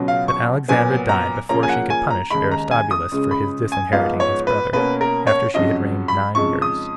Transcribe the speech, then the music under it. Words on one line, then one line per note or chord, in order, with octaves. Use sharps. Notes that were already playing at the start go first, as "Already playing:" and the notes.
But Alexandra died before she could punish Aristobulus for his disinheriting his brother, after she had reigned nine years.
Already playing: C#2 B2 F#3
F5
C#6
A#2 F#3 B3 G#5
A#5
C#3 F3 A#3 C#4 A#5
G#5
F#5
G#5
A#5
D#2 C#3 G#3 D#4 B5
A#5
G#5
D#6
C#2 C#3 G#3
B5
G#5
G#2 F3 B3 D#4 F5
C#5
B4
B2 A#3 C#4 B4
A#4
C#5
F2 C#3 F#3 C#4 D#5
B5
F2 C#3 G#3 D#4 C#6
D#6